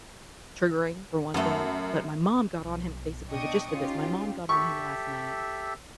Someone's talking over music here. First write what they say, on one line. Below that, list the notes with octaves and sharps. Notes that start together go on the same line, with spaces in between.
triggering for one thing, but my mom got on him basically, the gist of this, my mom got on him last night,
F#2 A3 B3
B1
B2 D4 D#5 G5 C#6 D#6
C#4 D#4 F4 G4
G4 A4 E5 C#6